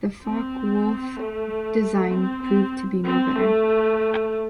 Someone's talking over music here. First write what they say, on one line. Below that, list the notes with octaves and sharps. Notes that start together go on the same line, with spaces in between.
The Focke-Wulf design proved to be no better.
C4
A3
C4
C4
C4
A3